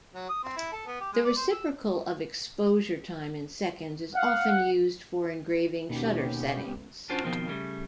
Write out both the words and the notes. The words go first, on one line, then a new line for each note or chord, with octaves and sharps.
The reciprocal of exposure time in seconds is often used for engraving shutter settings.
F#3
D#6
C4
E4
A4
B3
G4
G#3
D5
C5
E6
F5 F#5
D#2 B2 B3 C#4 G4
C#4 D4 F4 F#4 C5 D5
F2 B2 D#3 F3 C4
C#3 G3 A3